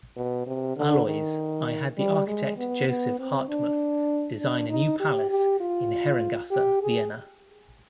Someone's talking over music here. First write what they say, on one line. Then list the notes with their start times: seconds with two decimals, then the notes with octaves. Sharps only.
Aloys I had the architect Joseph Hardtmuth design a new palace in Herrengasse, Vienna.
0.16 B2
0.47 C3
0.77 D3
1.06 D#3
1.98 G3
2.27 G#3
2.58 B3
2.88 B3
3.19 C4
3.49 D4
4.39 D4
4.69 D#4
5.00 G4
5.30 G4
5.60 F4
6.51 G4
6.81 G#4